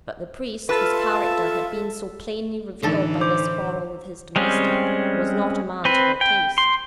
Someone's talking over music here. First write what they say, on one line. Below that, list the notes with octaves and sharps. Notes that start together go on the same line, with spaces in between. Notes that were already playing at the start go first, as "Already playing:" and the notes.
But the priest, whose character had been so plainly revealed by this quarrel with his domestic, was not a man to their taste.
F4 A4 B4 E5 A5
A2 D3 E3 D#4 A4
C5 D6
G3 G#3 C4 C#4
C4 B4
G5
C6